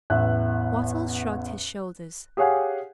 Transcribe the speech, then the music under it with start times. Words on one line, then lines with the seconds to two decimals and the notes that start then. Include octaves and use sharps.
Wattles shrugged his shoulders.
0.10 A1 E2 E5 F#6
2.37 G4 G#4 C#5 F5 F#5 G#5